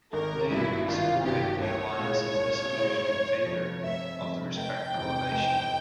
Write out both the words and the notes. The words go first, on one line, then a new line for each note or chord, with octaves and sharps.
Later, he supported the Alliance's dissolution in favour of the Respect Coalition.
G#1 A#4
G2 E3 G3 E4
G#1 F4
G2 E3 G3 G4
C2 C#5
A#2 G#3 E4
C2
A#2 G#3 E4
F1
F2 C3
F1 E5
F2 C3
F1 G5
E2 C3
F1